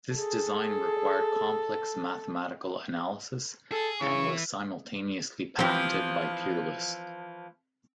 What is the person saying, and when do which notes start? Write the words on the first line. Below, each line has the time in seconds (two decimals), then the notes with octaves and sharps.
This design required complex mathematical analysis, and was simultaneously patented by Peerless.
0.15 G#4 A4
3.72 G#4 A4
4.01 C#3 E3 E4 C#6
5.59 E3 F3 C4 G4